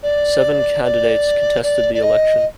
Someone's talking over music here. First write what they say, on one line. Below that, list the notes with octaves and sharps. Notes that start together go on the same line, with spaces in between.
Seven candidates contested the election.
D5
D5
D5
D5
D#5